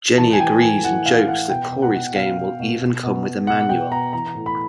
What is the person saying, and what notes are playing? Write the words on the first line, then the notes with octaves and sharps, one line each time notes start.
Jenny agrees and jokes that Corey's game will even come with a manual.
E3 A5
G#5
E3 G5
A2 G#5
E3 F#5
A2 F5
E3 F#5
B2 G5
B2
F#5
B2
B2 F5
B2
B2
B2
B2
B2
B2 F#5
B2 G5
B2 A#5
E3 A#5
A2
B5